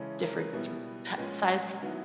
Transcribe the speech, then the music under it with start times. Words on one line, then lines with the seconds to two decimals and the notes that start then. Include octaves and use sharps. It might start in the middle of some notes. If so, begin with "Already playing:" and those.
different t ta size,
Already playing: C#3 E3 G#3 C#4 E4 A4
0.21 A#4
0.37 B4
0.53 B2 G3 B3 E4
1.17 A#2 F3 G#3 C#4 B4
1.82 D#3 F#3 B3 E4